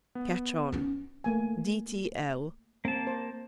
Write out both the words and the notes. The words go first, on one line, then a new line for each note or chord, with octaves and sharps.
Catch on. D.t.l.
B3
C#4 D#4
A3 A#3 G#5
A#3 C4 A5
C5